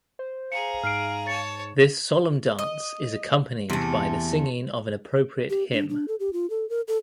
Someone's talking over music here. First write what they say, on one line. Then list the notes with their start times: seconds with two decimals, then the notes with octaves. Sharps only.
This solemn dance is accompanied by the singing of an appropriate hymn.
0.19 C5
0.52 G#4 F5 A#5 C#7
0.84 G#2 F6 C7 D7
1.27 C#5 A5 A6 C#7
2.59 D#5
3.70 E2 C3 A3
5.50 G4
5.73 D4
5.89 D4
6.08 A4
6.20 G4
6.33 F4
6.50 A4
6.70 A#4
6.88 A4